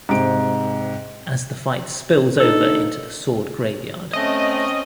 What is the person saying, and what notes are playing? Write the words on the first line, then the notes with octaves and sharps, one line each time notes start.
As the fight spills over into the Sword Graveyard.
G#2 C3 D7
A#3 D4 D#4 A4
A3 C4 C#4 D#5